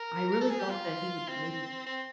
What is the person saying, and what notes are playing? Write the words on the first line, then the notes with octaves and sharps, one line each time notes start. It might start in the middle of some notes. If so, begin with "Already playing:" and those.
I really thought that he would maybe,
Already playing: A#4
A#4
A4
G#4
G4
F4
C4
C4